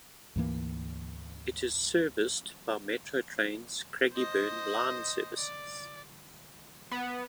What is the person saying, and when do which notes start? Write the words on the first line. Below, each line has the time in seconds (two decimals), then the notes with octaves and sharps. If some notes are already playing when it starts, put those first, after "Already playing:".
It is serviced by Metro Trains' Craigieburn line services.
0.36 D2 G#2 E3 A#3
4.13 C5 D#5
5.37 D5
6.91 B3